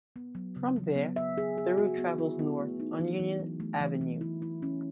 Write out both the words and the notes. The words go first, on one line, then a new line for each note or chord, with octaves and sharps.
From there, the route travels north on Union Avenue.
B3
F#3
C#3
F#3
B3
E5
G#4
G#4
F#4
B3
E4
B3
A3
D#4
E3
E3
F#3
A3
E3
E3
E4
E4
C#4